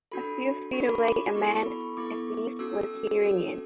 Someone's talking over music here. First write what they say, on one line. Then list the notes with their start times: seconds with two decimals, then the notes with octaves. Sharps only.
A few feet away a man, a thief, was peering in.
0.12 D4 F#4 A4 B5
0.73 D4 F#4 A4 C#6
0.83 B5
0.92 C#6
1.04 D6
1.35 B3 E4 A4 C#6
1.50 C#6
1.66 B5
1.81 C#6
1.97 B3 E4 A4 D6
2.59 C#4 F#4 A4 E6
3.21 C#4 F#4 A4